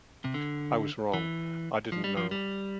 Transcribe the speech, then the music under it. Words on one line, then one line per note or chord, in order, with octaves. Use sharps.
I was wrong, I didn't know.
C3
D3
E3
F3
G3
F3
G3